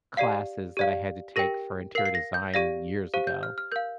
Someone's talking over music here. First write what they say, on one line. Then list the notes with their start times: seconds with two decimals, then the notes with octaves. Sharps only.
classes that I had to take for interior design years ago,
0.17 G4 D5 F5 C7
0.77 G4 D5 F5
1.36 G4 A#4 G5 A#6
1.95 A#4 F5 C7
2.05 C7
2.15 A#6
2.34 G6
2.54 G4 D5 F5 A#6
3.14 G4 C5 F5
3.27 G6
3.43 F6
3.58 F6
3.72 A#4 F5 G6